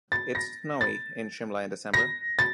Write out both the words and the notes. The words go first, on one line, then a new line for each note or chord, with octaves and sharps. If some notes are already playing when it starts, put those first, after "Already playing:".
It's snowy in Shimla in December.
A6
A#6
A6
A#6
A6